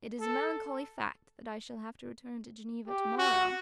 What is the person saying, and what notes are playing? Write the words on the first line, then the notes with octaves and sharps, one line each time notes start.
"It is a melancholy fact that I shall have to return to Geneva tomorrow."
A4
G4
F#4